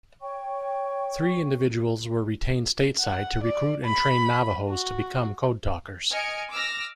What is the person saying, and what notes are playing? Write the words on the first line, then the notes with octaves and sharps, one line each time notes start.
Three individuals were retained stateside to recruit and train Navajos to become code talkers.
C#5 G5 C#6
F#5
D5
B5
F#4
D#5 G#5 F6 C#7 D7
D6 E6 F6 A#6